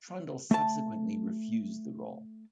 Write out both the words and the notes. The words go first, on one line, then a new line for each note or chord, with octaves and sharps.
Trundle subsequently refused the role.
A3 A5